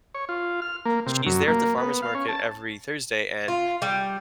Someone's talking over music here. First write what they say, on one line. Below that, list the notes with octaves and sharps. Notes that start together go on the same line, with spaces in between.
She's there at the farmer's market every Thursday, and
C#5
F4
F6
A#3
C3
F#2
A#3
B3
F5
C#4
A5
F4
G3